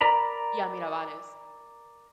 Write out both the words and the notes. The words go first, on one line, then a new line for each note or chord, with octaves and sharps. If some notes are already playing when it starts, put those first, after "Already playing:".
Yeah, Mirabales,
A#4 D5 A#5 B5